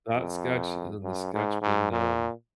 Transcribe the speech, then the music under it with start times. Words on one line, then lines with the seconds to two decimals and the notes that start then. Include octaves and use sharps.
That sketch and then the sketch when, um,
0.15 F2
1.03 F#2
1.33 G#2
1.62 G#2
1.92 A#2